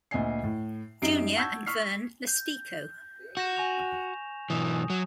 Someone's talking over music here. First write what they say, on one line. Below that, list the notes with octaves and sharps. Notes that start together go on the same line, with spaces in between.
Junior and Verne Lestico.
D2 A#2 D#5 E5 G#5 C7
A2
F#2 D#4 G4 A#5 C7 D7
F#5 A5 C#6 E6 G6 G#6
C#6 E6 F6 B6 C7
G6
F#4 G6 A#6 E7
G#5 C#6 F7
B1 E3 D#6
F#3